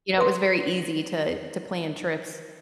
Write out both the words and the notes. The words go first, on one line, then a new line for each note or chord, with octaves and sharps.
you know, it was very easy to to plan trips
B4 C6